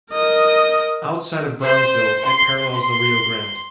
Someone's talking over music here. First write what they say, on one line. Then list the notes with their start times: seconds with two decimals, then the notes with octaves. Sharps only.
Outside of Brownsville, it parallels the Rio Grande.
0.12 A#4 D#5
1.62 C5
2.25 C6
2.75 C6